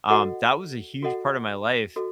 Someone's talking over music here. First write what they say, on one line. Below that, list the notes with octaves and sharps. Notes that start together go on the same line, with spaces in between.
um, that was a huge part of my life,
F#4 A4 D#5 F#5
F#4 A4 D#5 F#5
F#4 A4 D#5